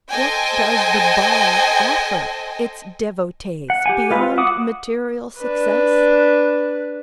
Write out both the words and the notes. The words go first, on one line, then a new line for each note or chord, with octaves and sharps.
What does the Bar offer its devotees--beyond material success?
A4 C5 D#5 G5 G#5
F#5
G4 F#5 G#5
G#3 F4 B4
F4
F#4 F#5 D6 D#6
D4 B4